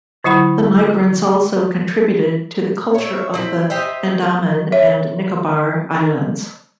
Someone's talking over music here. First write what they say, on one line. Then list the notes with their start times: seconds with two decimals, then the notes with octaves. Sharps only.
The migrants also contributed to the culture of the Andaman and Nicobar Islands.
0.24 D3 F#3 E4 F#5 B5
2.95 C#5 E5
3.34 D3 C4 E4
3.70 G4 C5 D#5 E5
4.72 C#5 E5